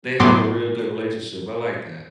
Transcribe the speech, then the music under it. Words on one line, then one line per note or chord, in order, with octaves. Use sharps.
they have a real good relationship. I like that.
A2 F#3 B3 C6 D6